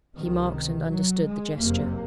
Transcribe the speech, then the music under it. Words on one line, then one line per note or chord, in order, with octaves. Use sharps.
He marked and understood the gesture.
C#2 C3 D#3
F#3
G#3
F#1 F2 C3 A#3